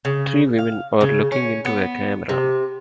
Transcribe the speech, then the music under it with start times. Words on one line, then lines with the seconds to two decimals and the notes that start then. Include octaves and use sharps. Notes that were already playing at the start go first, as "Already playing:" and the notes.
Three women are looking into a camera.
0.05 C#3
0.58 F5
1.01 C#3
1.32 C#4
1.65 B3
2.29 C3